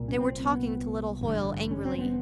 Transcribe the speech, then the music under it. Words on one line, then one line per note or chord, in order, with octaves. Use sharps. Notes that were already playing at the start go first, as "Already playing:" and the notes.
They were talking to little Hoyle angrily.
Already playing: C2 A#2
C#4
C4
B3
A1 G2 D3
C#4
C4
B3